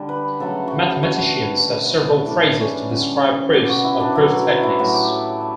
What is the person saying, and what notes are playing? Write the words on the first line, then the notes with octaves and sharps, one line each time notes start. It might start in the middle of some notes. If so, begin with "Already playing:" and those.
Mathematicians have several phrases to describe proofs or proof techniques.
Already playing: D3 G3
B4
C#3 F#3 A3 A4
F#4 G4
D3 G3 F#4
B2 A3
E4
A2 E3 G3 D4
C#4
D4
D3 G3 C#4
B2 G3 G4
F#4
E4
D4
B2 F#3 A3 E4
E4
A2 F#3 A3 F#4
G4
A4
A3